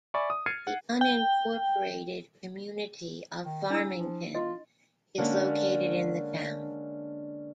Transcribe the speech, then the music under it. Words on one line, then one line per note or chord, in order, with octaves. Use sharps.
The unincorporated community of Farmington is located in the town.
D5 E5 G#5 B5 C#6
D#6
F6 G#6 A6 C7 C#7 D#7
F#5
G5
D#3
G3 D4 E4 E6
F3
F4 D#5 C6
D3 G#3 A#3 C#4 D4